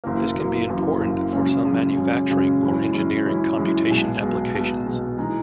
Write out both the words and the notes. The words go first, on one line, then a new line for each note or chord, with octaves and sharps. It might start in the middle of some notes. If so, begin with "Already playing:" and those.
This can be important for some manufacturing or engineering computation applications.
F#1 F#2 E3 A#3
F#1 F#2 E3 A#3
F#1 F#2 E3 A#3
F#1 F#2 E3 A#3
F#2 C#3 G#3 C#4
F#2 C#3 G#3 C#4
F#2 C#3 G#3 C#4
F#2 C#3 G#3 C#4
F#2 E3 G#3 C#4 E4
F#2 E3 G#3 C#4 E4
F#2 E3 G#3 C#4 E4
F#2 E3 G#3 C#4 E4
B1 B2 G#3
B1 B2 G#3
B1 B2 G#3
B1 B2 G#3
E3 G#3 D#4